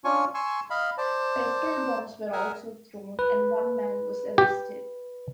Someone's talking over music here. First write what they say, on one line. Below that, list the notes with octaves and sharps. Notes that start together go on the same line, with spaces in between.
Petrol bombs were also thrown and one man was arrested.
C#4 D4 F4 C#5 G#5 C#6
G#5 C6 C#6 E6
D#5 F5 B5
C5 D5 A5
G#4 A#4 E5 F#5 G#5
B4
G4